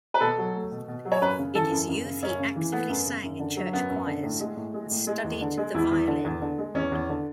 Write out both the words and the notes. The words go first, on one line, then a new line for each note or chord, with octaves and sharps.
In his youth he actively sang in church choirs and studied the violin.
B4
B2 A4
F#3
A3
B2
B2
F#3
C#5
F#2 B4
C#3
E3 A4
F#2
F#2
C#3
F#2 C#4
C#3
E3
A3 B3
F#2
C#3
F#2
D3
F#3
F#2 B3
F#2
D3
A2
G#3
A2
G#3
A2
G#3
E2
D3
G#3
E2 E4
E2
D3
E2
D3
G#3
E2 C#4
E2
D3